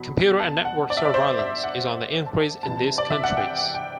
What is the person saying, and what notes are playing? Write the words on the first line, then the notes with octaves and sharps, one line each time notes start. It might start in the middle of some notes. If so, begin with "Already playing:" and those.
Computer and network surveillance is on the increase in these countries.
Already playing: E2 B2 F#3 B5
A5
F#5
D5
E5
D5
C5
E5
F#5
A5
C2 C3 E3 A5
D5
E5
F#5
G5
G5